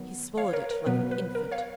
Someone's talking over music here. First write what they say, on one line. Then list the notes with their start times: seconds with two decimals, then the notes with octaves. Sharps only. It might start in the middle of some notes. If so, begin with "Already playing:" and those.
He swallowed it like an infant.
Already playing: D#3 F#3 B3
0.37 C#5 F5
0.53 A#4 C#5
0.71 A#4
0.86 B2 F#3 B3 B4
1.11 B4
1.35 A#4
1.51 C#5 F5